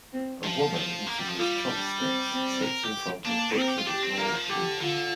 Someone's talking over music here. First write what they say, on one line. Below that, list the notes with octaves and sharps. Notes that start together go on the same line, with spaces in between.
A woman eating with chopsticks sits in front of butchered raw meat.
C4
F3
F3
A#3
G3
F3
G3 F4
D4
C4
C4
A#4
G4
A#3 D4
C4 A#4
G4
F4
D4 G4
C4
A#3 A#4
F3
D3 G4
D3 F4